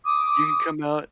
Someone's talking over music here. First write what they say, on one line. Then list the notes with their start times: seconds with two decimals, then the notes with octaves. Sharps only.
“you can come out"
0.05 D6 D#6